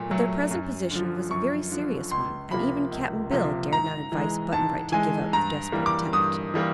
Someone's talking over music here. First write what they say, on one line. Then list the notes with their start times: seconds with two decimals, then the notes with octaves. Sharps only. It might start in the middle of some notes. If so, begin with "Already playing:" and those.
But their present position was a very serious one and even Cap'n Bill dared not advise Button-Bright to give up the desperate attempt.
Already playing: A#2 F#3 A3
0.11 F#3 A3
0.51 F#2
0.91 D3 F3
1.31 F#2 C#6
1.71 D3 F3
2.11 C#2 C6
2.51 C3 F3 A#3 B5
2.91 C#2
3.31 C3 F3 A#3
3.72 G#2 A#5
4.12 E3 G#3
4.53 G#2 A5
4.92 E3 G#3 G#5
5.33 G2 A#5
5.72 E3 G3 A#3
5.86 D6
6.13 G2 D#6
6.54 E3 G3 A#3